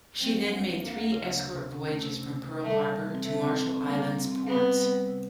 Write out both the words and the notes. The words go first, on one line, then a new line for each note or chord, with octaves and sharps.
She then made three escort voyages from Pearl Harbor to Marshall Islands ports.
F#3 C4
D2
D2
D2
D2 A#3
D2
C#3
D2
C3
C3
C#4
A3
C3
C3
C3
C3
G3 A3
C3
G3
C4
C3 A3
C4
C4
C4
G3 A#3
G3
C4
C4
G3 B3
C4
G3
G3
C3